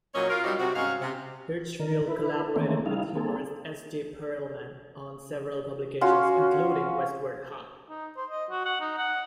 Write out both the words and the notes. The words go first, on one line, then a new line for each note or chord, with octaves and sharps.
Hirschfeld collaborated with humorist S. J. Perelman on several publications, including Westward Ha!
A#2 F#3 A#3 C#4 C#5 D#5
F4 A#4
F#3 G3 C4 D#4 F#4 D5
C3 F#4
G#2 C#4 D#4 F#4 F5
C3
D3 D#3 A#4
E4 B4
D#3 E3 A3 A#3 C4 C#4
G3 D#4 E4 F5
A#3 C4 G#4 A4
C#4 F4 F#4
D#4
C5
D#5
F#4
F#5
D#4
F#5